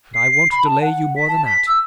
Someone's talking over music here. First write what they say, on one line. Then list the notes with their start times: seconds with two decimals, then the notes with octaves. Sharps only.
And I won't delay you more than that.
0.14 C7
0.32 C7
0.51 B5
0.65 A5
0.81 F#5
1.16 B6
1.28 A5
1.46 B6
1.67 E6